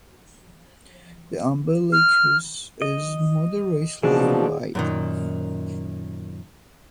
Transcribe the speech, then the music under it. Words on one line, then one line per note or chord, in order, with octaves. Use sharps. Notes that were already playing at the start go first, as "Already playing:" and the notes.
The umbilicus is moderately wide.
F6
D#5
B2 E3 F3 A#3 D4 G#4
F#2 A#2 D#3